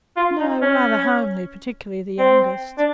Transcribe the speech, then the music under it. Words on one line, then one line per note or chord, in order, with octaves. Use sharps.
'No, rather homely, particularly the youngest.'
F4
D#4
C#4
C4
D4